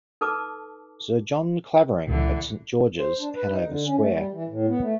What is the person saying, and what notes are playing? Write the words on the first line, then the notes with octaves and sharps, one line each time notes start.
Sir John Clavering, at Saint George's, Hanover Square.
D#4 A4 B4 A5 D6
C#2 A#2 D3 E3
C5
D4
B4
D#4
D3
C#4
A3
G3
E3
A2
B3
A3